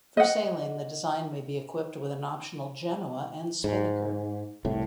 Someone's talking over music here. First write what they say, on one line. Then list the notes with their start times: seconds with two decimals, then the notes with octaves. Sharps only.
For sailing the design may be equipped with an optional genoa and spinnaker.
0.17 D#5 F#5
3.64 G#2
4.65 C2 A2